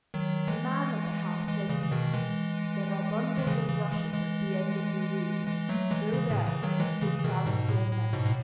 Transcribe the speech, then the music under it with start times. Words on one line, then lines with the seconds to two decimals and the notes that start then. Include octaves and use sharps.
The man of the house said to me: 'There are bundles of rushes at the end of the room, go there and sit down with your men!'
0.14 D#3 F#3
0.48 E3 G#3
1.48 E3 G#3
1.69 C#3 E3
1.82 E3
1.91 B2 D#3
2.14 E3 G#3
3.38 D#3
3.47 C#3 E3
3.69 C#3 E3
3.91 E3 G#3
4.14 E3 G#3
5.47 E3 G#3
5.69 F#3 A3
5.91 E3 G#3
6.13 C#3 E3
6.29 A2 C#3
6.46 C#3 E3
6.63 D#3 F#3
6.80 E3 G#3
7.02 C#3 E3
7.19 E3
7.24 B2 D#3
7.46 G#2 B2
7.68 A2
7.91 A2
8.13 G#2 B2
8.26 A2